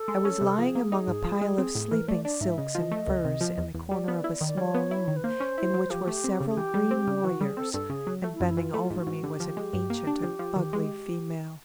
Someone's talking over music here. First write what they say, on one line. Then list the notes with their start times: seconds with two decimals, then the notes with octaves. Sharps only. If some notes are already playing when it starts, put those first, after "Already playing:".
I was lying among a pile of sleeping silks and furs in the corner of a small room in which were several green warriors, and bending over me was an ancient and ugly female.
Already playing: A4
0.08 G#3
0.25 C#4
0.41 C3
0.58 F3 G#4
0.75 A#3
0.92 D#4
1.08 G#2
1.24 F3
1.41 G#3
1.58 C4
1.75 A2
1.91 E3 A#4
2.08 A3 D5
2.25 D4 D5
2.41 G#2 E5
2.58 C#3 D#5
2.75 F3
2.91 A3
3.07 C#2
3.24 C3
3.41 F3
3.58 E2
3.74 E2
3.91 G3 D5
4.08 B3
4.24 E4
4.41 D#3
4.47 D5
4.57 G3 C#5
4.74 B3
4.91 E4
5.08 D#3
5.16 B4
5.24 A#3 C5
5.40 C#4
5.58 E4
5.74 F#3
5.90 F3 G4
6.07 A3
6.24 C4
6.40 C#3
6.49 G#4
6.57 E3 G4
6.74 G3
6.91 C4
7.07 C#3
7.24 E3 F#4
7.41 G3 G#4
7.57 C4 A4
7.74 G2 A4
7.90 C#3 G#4
8.07 F#3
8.24 A3
8.34 E4
8.40 F#2
8.48 E4
8.57 E3 F4
8.74 A3
8.79 F4
8.90 G#2
9.01 F#4
9.07 G#2
9.23 D3 G4
9.40 F3
9.57 G#3
9.73 G2
9.90 A#3
10.07 D4
10.23 F3
10.39 F3
10.56 D#3
10.73 G#3